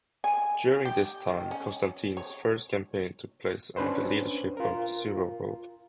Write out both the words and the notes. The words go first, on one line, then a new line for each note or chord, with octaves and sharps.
During this time, Konstantin's first campaign took place under the leadership of Suvorov.
G#5
G4
D#3
C#4
C#5
C#4 D4 B4 C5
F4 A#4